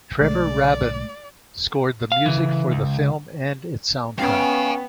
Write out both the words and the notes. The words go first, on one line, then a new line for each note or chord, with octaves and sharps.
Trevor Rabin scored the music for the film and its soundtrack.
B1 D3 G#3 A3 D5
F5
C#3 E3
C#2
B3 C#4 F5 G5 G#5